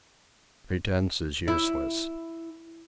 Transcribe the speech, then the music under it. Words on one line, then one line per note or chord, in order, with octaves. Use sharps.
Pretence is useless.
E4